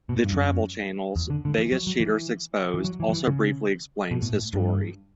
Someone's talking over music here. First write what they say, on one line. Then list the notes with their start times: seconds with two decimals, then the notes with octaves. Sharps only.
The Travel Channel's "Vegas Cheaters Exposed" also briefly explains his story.
0.09 B2
0.16 A2
0.24 G2
0.32 F#2
1.16 E2
1.30 D3
1.45 D3
1.58 E3
1.72 F#3
1.87 F#3
2.00 E3
2.74 E3
2.85 F#3
3.00 E3
3.09 F#3
3.13 E3
3.28 C#3
4.11 B2
4.22 A2
4.33 A2
4.53 G2